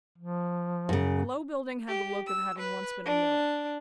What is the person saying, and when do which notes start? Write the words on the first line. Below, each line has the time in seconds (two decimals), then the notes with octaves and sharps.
The low building had the look of having once been a mill.
0.18 F3
0.89 F#2 C#3
1.88 G4
2.28 E6
2.58 B4
3.05 D4